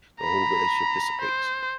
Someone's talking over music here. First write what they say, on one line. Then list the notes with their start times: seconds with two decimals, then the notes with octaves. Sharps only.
the whole relationship dissipates.
0.20 A#5 B5
1.21 C5